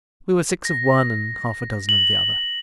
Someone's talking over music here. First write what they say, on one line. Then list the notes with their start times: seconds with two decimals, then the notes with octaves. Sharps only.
We were six of one and half-a-dozen of the other.
0.65 A#6
1.89 F#7